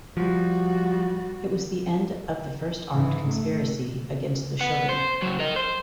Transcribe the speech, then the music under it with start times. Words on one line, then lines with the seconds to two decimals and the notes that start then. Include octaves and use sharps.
It was the end of the first armed conspiracy against the shogunate.
0.17 F3 G3 F#4
2.89 G#2 E3
3.25 A3
4.61 B4 F#5
4.89 C5
5.22 C#3 F#3
5.39 A#4 D#5
5.56 C5